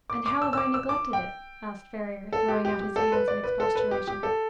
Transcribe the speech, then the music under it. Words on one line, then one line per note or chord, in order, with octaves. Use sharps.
"And how have I neglected it?" asked Ferrier, throwing out his hands in expostulation.
D6
D6
E6
E6
D6
E6
D6
G5
A4
G4
G4
G4
A4
B4
D5
B4
A4
B4
G4
G4
A4